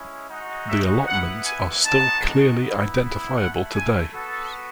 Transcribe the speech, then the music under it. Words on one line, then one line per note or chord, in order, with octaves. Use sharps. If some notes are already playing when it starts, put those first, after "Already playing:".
The allotments are still clearly identifiable today.
Already playing: G#3 C#4 E4
G#3 D#4 F#4
E5
B3 E4 F#5
G#5
G#3 B3 D#4 F#4 A5
B3 E4
A3 E4 F#5
G#5
B3 F#4 A4